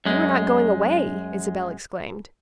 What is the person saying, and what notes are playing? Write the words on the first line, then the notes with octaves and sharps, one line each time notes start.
"You're not going away!" Isabel exclaimed.
F#2 G#3